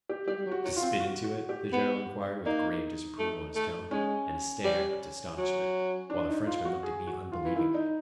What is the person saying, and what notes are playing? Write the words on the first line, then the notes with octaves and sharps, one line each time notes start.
"To spit into it?" the General inquired with grave disapproval in his tone, and a stare, of astonishment, while the Frenchman looked at me unbelievingly.
G4
G3 G4
G3
F#3
F#4
F#3 F#4
F4
C4
F#4
F#4
G4
B3
A#3 D#4
A3
A3
G#3 C#4
G3
F#3
D4
D#4
F4
F#4
G#4
F#4
F4
E3
D#3 E4
D#4